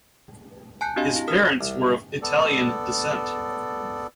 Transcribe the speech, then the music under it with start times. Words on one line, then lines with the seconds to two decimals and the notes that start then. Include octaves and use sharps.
His parents were of Italian descent.
0.81 G#5 A5 F#6 G6 C7 C#7
0.96 C4 D4 F#4 G4 D#5 F5
1.14 E4 F5
1.28 A#4 D#6 F6
1.61 C2
2.22 B3 A4 D5